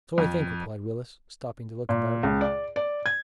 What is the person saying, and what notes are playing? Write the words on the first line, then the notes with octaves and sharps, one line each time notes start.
"So I think," replied Willis, stopping to look about.
F2
A#2
C#2
D5
D5
G#6